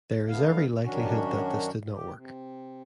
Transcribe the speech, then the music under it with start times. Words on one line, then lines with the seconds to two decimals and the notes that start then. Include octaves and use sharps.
There is every likelihood that this did not work.
0.29 D3 A3 B3 F5
0.84 F#2 D#3 C#4 D4 F#4
1.94 G4
2.14 C3